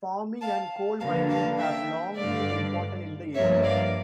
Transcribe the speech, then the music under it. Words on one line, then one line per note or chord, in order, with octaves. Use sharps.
Farming and coal mining have long been important in the area.
F5 A5
G2 D3 F3 A#3 F5 A5
F5 A5
E5 G5
G2 D3 A3 D5 F5
G2 F3 A#3 C#5 E5
D5 F5